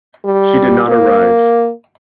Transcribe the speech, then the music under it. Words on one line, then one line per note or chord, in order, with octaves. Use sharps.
She did not arrive.
G3
A#3